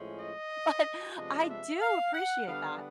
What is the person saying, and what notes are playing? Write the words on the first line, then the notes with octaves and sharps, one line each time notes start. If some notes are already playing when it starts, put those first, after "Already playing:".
but I do appreciate that.
Already playing: A2 F3 G#3 C#4
D#5
C3 F3 G#3 B3 D4 D#5
E5
F5
F#5
D3 G3 B3 D4 F5